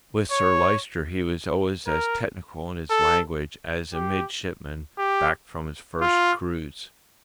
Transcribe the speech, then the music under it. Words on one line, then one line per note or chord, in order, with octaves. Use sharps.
With Sir Lyster he was always as technical in his language as a midshipman back from his first cruise.
C#5
A#4
A4
G4
G4
F4